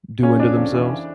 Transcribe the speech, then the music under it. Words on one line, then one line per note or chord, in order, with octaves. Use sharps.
doing to themselves.
C#3 C#4
F2 D4
F2
E3
E3